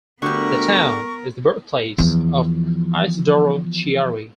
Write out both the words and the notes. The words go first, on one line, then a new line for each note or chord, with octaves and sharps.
The town is the birthplace of Isidoro Chiari.
D2 D3 G3 B3 A#4 C#6
E2 F3